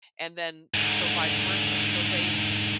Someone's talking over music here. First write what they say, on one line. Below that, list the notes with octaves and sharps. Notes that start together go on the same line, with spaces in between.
and then, so vice versa, so they
G#2 D3